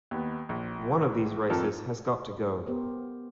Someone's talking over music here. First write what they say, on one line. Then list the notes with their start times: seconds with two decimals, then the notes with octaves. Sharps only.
One of these races has got to go.
0.11 D#2 B3
0.49 A#1
1.50 F2 F3 A4 A#4 A5
2.66 B3 G4 A#4 C5